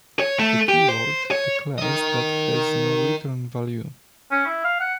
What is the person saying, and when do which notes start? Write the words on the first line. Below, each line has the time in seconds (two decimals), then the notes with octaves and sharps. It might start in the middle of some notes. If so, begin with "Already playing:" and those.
The keyword declares that has no return value.
0.20 C#5
0.39 A3
0.69 G4
0.89 C5
1.31 C#5
1.78 A#4 D#5
4.31 C#4
4.46 E4
4.64 F5
4.80 F#5